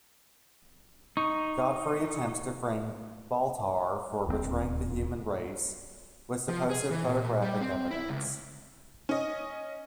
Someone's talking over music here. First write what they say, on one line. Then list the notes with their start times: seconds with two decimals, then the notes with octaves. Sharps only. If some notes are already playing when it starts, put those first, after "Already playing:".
Godfrey attempts to frame Baltar for betraying the human race with supposed photographic evidence.
1.17 D#4 C#6
4.27 D1 D#2 F3 C4
6.48 F3
6.70 G#4
6.90 E3
7.04 A#2
7.42 G3
7.61 C4
7.91 E4
8.09 C#2
9.09 C#4 D#5